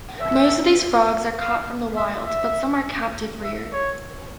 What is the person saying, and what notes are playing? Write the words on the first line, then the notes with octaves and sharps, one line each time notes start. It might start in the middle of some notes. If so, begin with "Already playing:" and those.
Most of these frogs are caught from the wild, but some are captive-reared.
E5
F5
E5
E5
E5
C#5